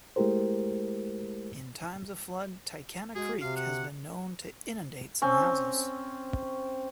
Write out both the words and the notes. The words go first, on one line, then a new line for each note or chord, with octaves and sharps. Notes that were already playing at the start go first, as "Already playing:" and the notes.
In times of flood, Tycannah Creek has been known to inundate some houses.
G#3 A3 E4 G4 A#4 C5
G#3 F#4 G#4
C3 F5
F#5
C4 C#4